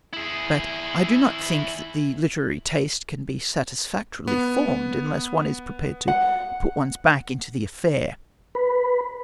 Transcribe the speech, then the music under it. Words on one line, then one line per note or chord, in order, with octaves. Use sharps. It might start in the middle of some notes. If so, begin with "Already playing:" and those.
But I do not think that the literary taste can be satisfactorily formed unless one is prepared to put one's back into the affair.
E4 G#4
B3
F#5
B4